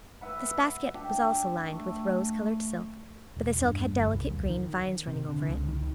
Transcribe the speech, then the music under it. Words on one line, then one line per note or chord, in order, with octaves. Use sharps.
This basket was also lined with rose-colored silk, but the silk had delicate green vines running over it.
B4 E5 F#5 B5
D4 G4 A4 E5
A3
E1
G2
G1
C2
D#2
D#3
C3
D3
C#2
D#3